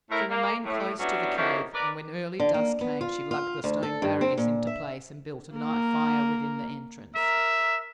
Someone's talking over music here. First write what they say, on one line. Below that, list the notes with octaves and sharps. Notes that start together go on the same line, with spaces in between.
She remained close to the cave, and when early dusk came she lugged the stone barriers into place and built a night-fire within the entrance.
A2 E4 A#4
A#3
A2
F#3 G3 B3 C#4 D4 E4
F2 C3 D#3 A#3 C#4 E4
A#4 B4 D5
D3
A#3
B3
F4
F4
D2
A4
G2
C4
A#2
E5
A#3 A#4
A#4 E5